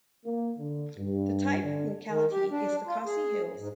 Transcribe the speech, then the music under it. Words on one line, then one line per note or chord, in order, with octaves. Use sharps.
The type locality is the Khasi Hills.
A#3
D3
G2
D3
D#3
G4
D4
F4
G#4
G#2